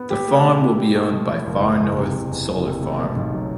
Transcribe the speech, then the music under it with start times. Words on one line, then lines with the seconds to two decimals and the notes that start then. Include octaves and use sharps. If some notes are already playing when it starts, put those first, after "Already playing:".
The farm will be owned by Far North Solar Farm.
Already playing: B3
0.10 G4
0.28 A3
0.44 B2
0.62 E4
0.78 G4
0.95 A3
1.12 B2
1.30 E4
1.47 F#1
1.63 E2
1.80 F#1
1.97 C3
2.15 F#1
2.31 E2
2.49 F#1
2.66 C3
2.82 A3
2.99 B2
3.17 B1
3.34 F#3